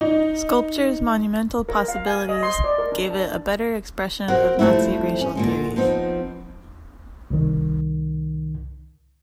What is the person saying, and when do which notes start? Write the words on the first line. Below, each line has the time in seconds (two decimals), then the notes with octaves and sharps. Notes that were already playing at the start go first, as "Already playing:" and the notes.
Sculpture's monumental possibilities gave it a better expression of Nazi racial theories.
0.01 D#4
1.69 A#4
1.88 F5
2.07 G#5
2.29 D#5
2.43 C6
2.64 D5
2.78 A#4
2.92 D4
3.10 A5
4.28 C4 F#4 A#4 F#5
4.59 F2 G3 A3 C4 E4
5.21 C#4
5.35 A#2 D3 G#3
5.76 F3 B3 C4 D#4
7.30 C2 D#3